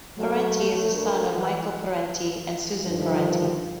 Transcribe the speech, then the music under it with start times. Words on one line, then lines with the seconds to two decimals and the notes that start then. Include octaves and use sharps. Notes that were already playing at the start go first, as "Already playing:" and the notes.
Parenti is the son of Michael Parenti and Susan Parenti.
0.16 F#3 A3
0.93 D4 A4 A#4
1.34 E3 F#3 B4 F#5
2.86 G2 D3 D#3 F3